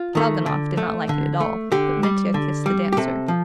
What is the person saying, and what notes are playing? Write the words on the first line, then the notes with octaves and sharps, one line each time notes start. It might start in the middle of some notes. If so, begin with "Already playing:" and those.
Kalganov did not like it at all, but Mitya kissed the dancer.
Already playing: F4
D#3 A3
D3
A3
D3
A3
D3 G4
G3
D3
G3
G4
C3 A4
F3